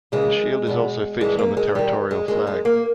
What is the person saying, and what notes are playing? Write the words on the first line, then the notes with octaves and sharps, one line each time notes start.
The shield is also featured on the territorial flag.
D#2 C#3 E3 G#3
E2 B2
G2 E3 G#3
A#3
G#3
E2 D#3 G3
G#3
D#2 D#3 G#3
G#3
A#3